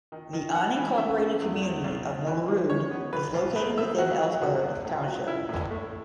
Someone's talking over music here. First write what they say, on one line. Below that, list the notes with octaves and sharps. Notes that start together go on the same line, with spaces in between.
The unincorporated community of Melrude is located within Ellsburg Township.
D#3
D#3
E3 F#5
E3
C#3 E5
C#3
E2
E2
B1
B2
E3
G#3
C#3 C#5
B3
B1 B4
B1
G#2 B4
G#2 E5
F#3 F#4
F#3
C#2 F#4
B2
A2
F#3
C#4 E4
A2
A3